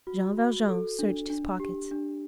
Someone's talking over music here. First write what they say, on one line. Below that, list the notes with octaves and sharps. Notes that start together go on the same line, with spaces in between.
Jean Valjean searched his pockets.
F#4
F#4
A4
D4
D4
G4
D4